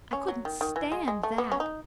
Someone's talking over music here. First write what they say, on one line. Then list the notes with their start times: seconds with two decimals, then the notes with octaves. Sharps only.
I couldn't stand that.
0.13 C#4
0.28 F#3
0.45 D#3
0.61 D#3
0.76 E3
0.92 G#3
1.08 G#3
1.23 A3
1.38 B3
1.52 C#4
1.60 D#4